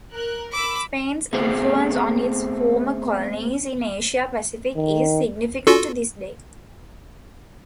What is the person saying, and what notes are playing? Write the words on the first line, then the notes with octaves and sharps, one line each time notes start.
Spain's influence on its former colonies in Asia-Pacific is significant to this day.
A#4 F#6
B5 D6 E6
A3 B3 C4 G#4 C5
D#3
F4 F#4 A4